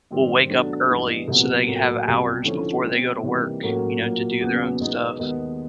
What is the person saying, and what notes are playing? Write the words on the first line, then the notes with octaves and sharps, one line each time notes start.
will wake up early so they have hours before they go to work, you know, to do their own stuff,
G#2 D#3 G3 C4
B2 F#3 A3 D4
G2 E3 G#3 B3
C2 A#2 F#3 B3
A2 F#3 A#3
C2 B2 G3
D3 F3 A3 C#4 E4
B2 G#3 C4
C3 E3 G3 A#3 D#4
A2 F#3 A#3 C#4 F#4
A#2 F#3 A#3
E2 C#3 F#3 B3
E2 B2 G#3 B3 D#4
D#2 D#3 G#3 B3